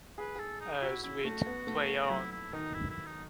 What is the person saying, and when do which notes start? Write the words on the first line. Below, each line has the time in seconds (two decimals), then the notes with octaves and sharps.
As with Play On!
0.18 G#4 B4
0.35 G#4 A4
0.60 D#4
0.82 E4 F#4
1.03 C#4 E4
1.24 A3 F#4
1.46 B3
1.67 A3
2.02 F#4
2.10 F#3 E4
2.32 E4
2.53 D#3 D#4
2.74 E4
2.90 E4
3.06 D#4